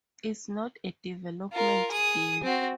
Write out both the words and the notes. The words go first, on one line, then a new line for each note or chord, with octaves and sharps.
It's not a development deal.
F4 A#4
G#4 D#6
C4 F#4